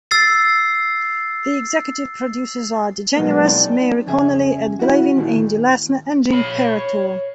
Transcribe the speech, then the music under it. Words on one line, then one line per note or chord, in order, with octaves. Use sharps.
The executive producers are DeGeneres, Mary Connelly, Ed Glavin, Andy Lassner and Jim Paratore.
E6 A6 C7
B2 F#3 G#3 A#3 B3
C4 D#4 D5 A5 C6
F2 C#3 G#4 E5
E4 F#4
D#2 A#2 D#3
C#5 B5